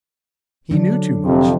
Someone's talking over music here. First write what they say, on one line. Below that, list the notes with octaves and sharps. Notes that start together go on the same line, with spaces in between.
He knew too much.
D3 F#3 D4
F2 C3